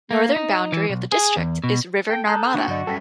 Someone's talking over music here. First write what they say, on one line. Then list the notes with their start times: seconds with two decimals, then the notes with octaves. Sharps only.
Northern boundary of the district is river Narmada.
0.11 A#3
0.36 D#4
0.72 E3
0.89 B1
1.12 G#4
1.37 E2
1.64 B2
2.09 A4 G5
2.27 A4 A5 A#5 D#6 F#6 G6
2.54 D3 A#3 D4 F#4 G5
2.68 G2 D3 F#3 D5 D#5
2.87 F#2 G3 C#4 A4 G5 A#6 B6